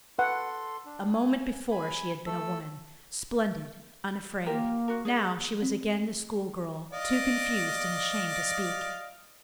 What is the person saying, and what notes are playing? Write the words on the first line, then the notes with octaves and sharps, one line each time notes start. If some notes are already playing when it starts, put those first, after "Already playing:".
A moment before she had been a woman, splendid, unafraid; now she was again the schoolgirl, too confused and shamed to speak.
A4 B4 F#5 C6
D4
G#5
G#5 B5
A3 A4 E6
A#3 F4 G4 A#4
F#4 A#4
G#4 D5
C4
D5 D#5 F5